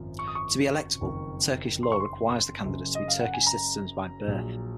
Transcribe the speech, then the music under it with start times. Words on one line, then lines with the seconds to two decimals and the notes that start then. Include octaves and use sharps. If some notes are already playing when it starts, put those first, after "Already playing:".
To be electable, Turkish law requires the candidates to be Turkish citizens by birth.
Already playing: G#1 F#2 F3
0.19 C#6
0.27 D#6
0.35 C#6
1.01 F#1 F2 D#3
1.83 C6
1.92 C#6
2.00 C6
2.64 F#1 F#2 C#3
2.95 D#5
3.08 F5
3.21 F#5
3.34 G#5
3.46 A#5
4.27 A#1 A#2 F#3